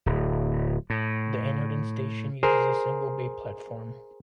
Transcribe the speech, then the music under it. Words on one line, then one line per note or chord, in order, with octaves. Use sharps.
The Enoden station uses a single bay platform.
D1
A2
G#4 A#4 C5